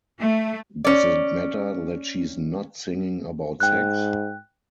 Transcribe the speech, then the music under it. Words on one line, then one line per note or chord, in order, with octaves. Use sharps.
Does it matter that she's not singing about sex?
A3
C#4 D5
G#2 G5 F#6